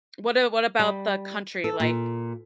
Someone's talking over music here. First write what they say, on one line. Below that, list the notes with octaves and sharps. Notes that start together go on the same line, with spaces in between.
what a what about the country, like,
G3
A4
A#2